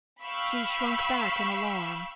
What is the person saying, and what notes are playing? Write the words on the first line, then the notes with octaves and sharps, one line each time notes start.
She shrunk back in alarm.
F5 G5 B5 C#6 E6